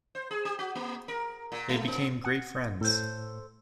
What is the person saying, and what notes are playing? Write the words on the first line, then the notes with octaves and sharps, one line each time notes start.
They became great friends.
C5
G#4
G4
F#4
A#3
A#4
A#2
G#3
B3
F#5
A2 A4 C5